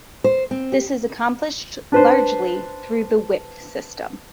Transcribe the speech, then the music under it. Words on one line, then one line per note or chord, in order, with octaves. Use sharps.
This is accomplished largely through the whip system.
C5
C4
G4
D4 B4 C5